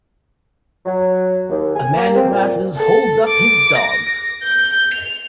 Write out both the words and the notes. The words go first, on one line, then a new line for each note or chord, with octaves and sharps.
A man in glasses holds up his dog.
F#3
D#2
G#5
A#3
C4
A#2
A4
D6
A#6
G6
F7